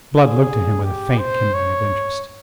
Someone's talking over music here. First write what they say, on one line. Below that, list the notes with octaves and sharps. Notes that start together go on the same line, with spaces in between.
Blood looked at him with a faint kindling of interest.
G#4
G4
C5
C#5